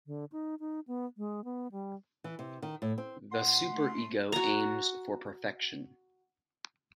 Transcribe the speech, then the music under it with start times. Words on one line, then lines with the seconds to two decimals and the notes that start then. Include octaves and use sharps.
The super-ego aims for perfection.
0.07 D3
0.32 D#4
0.60 D#4
0.87 B3
1.17 G#3
1.44 B3
1.72 G3
2.24 E3
2.39 C3
2.62 D#3
2.82 A2
2.98 C4
3.32 A#2 F#5 C6
3.71 A3
4.32 F#4 A#5